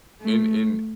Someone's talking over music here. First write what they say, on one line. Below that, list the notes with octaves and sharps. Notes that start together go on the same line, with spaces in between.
in in
A3